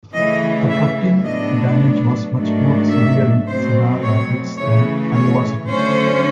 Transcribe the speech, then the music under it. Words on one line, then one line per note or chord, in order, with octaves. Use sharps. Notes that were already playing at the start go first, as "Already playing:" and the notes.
The flooding damage was much more severe in Cedar Rapids than in Iowa City.
C#3 E3 A3 D#5
E5
A2 F#3 B3 D4 D#5
G#2 D#3 F#3 A3 D4
E5
B2 F#3 A3 C4 C5
C#5
C#3 E3 A3 C#5
C#5
D3 F#3 A3 C#4 C5